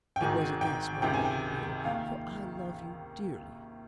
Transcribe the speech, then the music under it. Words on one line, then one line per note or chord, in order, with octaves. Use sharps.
It was against my own will, for I love you dearly.
G5
G#1 G#2 D#3 G#5
G5
C#2 C3 D#3 G5
G#5
G5
D#2 D#3 F5